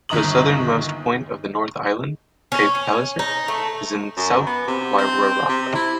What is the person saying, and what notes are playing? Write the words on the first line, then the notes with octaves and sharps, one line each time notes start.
The southernmost point of the North Island, Cape Palliser is in the South Wairarapa.
G1 D#2 D#5 A#5 D#6 F#7
C#4
C#4
D#4
A3
F#2
B3
C3
C4
C3
E4